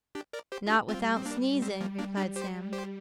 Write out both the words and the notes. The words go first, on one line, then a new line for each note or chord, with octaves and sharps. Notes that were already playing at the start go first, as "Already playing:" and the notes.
'Not without sneezing,' replied Sam.
D4 G4
A#4 D5
G4 C5
F4
D4 G4
G3 C4 F4
C4
A#3 D4
G3 C4
F3 A#3
A#3 D4
D4 G4
G4 C5
G4 C5